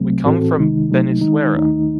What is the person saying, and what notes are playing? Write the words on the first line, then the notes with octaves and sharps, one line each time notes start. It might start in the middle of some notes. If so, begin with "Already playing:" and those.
We come from Benissuera.
Already playing: C2 C3 F#3 A3 C4
A2 E3 C4 F#4 A4
C2 C3 D#3 G#3 D#4
C#2 C3 F#3 A3 D#4
D#3 G#3 D#4
D#2 D#3 A3 D#4